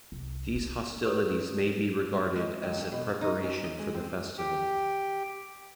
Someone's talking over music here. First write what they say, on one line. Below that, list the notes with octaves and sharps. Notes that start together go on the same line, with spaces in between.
These hostilities may be regarded as a preparation for the festival.
C2
D4
G4 A4 B4 C#5
G#3
D#2
G2
B2
A#3
D#4
C#4
D#5
G#3
C4
G4